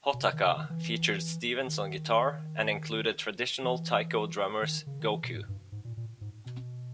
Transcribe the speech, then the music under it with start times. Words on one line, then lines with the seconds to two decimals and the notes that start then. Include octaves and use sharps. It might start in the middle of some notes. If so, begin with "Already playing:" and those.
"Hotaka" featured Stevens on guitar, and included traditional Taiko drummers Gocoo.
0.14 B2
0.21 C#3
0.33 D#3
0.45 C#3
0.57 D#3
0.70 E3
1.67 D#3
3.63 E3
4.62 D#3
4.87 C#3
5.00 D#3
5.11 E3
5.24 B2
5.35 G#2
5.48 G2
5.72 G#2
5.85 A#2
5.97 A#2
6.21 G#2
6.46 B2